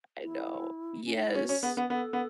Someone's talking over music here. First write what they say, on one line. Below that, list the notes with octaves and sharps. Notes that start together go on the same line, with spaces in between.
I know. Yes.
E4
C#4
D#4
E4
C#4 F#4
C#4
B3 G#4
B3
B3 A4
B3